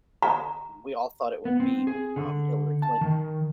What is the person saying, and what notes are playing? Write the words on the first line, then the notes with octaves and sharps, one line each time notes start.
we all thought it would be, um, Hillary Clinton.
A#5
B3
C4
G#4
D3
A5
D#3